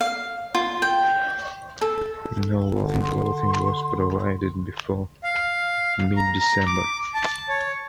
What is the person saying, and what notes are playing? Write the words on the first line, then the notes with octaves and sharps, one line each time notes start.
No warm clothing was provided before mid-December.
F5
F4
G5
A4
D3
C6
F5
A#5
A#5
D6
A5
C#5